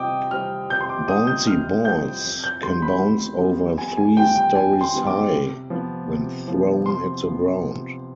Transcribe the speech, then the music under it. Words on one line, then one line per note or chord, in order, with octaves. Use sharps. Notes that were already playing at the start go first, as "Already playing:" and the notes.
Bouncy balls can bounce over three stories high when thrown at the ground.
Already playing: C3 G3 C4 D#5 G5 D6 D#6
G3 C4 F6
C3 G6
C6
D6
G3 C4 D#6
G6
C3 F6
G3 C4 G6
F2
G6
D3 G3 B3 C6
B5
F2
D3 G3 B3
F2 G#5
G#5
D3 G3 B3 G5
G5
F2 G#5
C6
D3 G3 B3
D6
C3
F3 B3
C3
F3 B3
C3 C6
F3 B3
C3